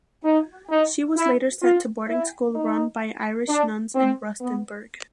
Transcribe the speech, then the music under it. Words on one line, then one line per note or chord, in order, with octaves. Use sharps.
She was later sent to boarding school run by Irish nuns in Rustenburg.
D#4
D#4
E4
F4
E4
D#4
D4
C4
B3